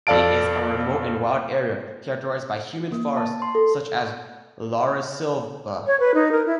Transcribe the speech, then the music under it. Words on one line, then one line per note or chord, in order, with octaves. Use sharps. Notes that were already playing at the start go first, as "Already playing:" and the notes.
It is a remote and wild area characterized by humid forests, such as "laurisilva".
F2 A4 D5 F5 A5 D7
A#3
A5
C6
A4
C#5
B4
D#4
A#4
E4